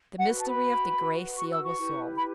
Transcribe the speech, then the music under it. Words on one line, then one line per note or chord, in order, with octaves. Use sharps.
The mystery of the Gray Seal was solved!
F#4 B4 F#5
A5
B5
F#4 B4
C#6
E6
C#6
E4 G4 B4
B5